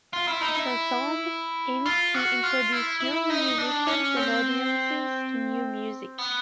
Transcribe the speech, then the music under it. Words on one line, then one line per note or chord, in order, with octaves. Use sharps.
This ensemble aims to introduce young musicians and audiences to new music.
F4
E4
D#4
E4
F4
F#4
F4
E4
E4
D#4
D4
C#4
C4
B3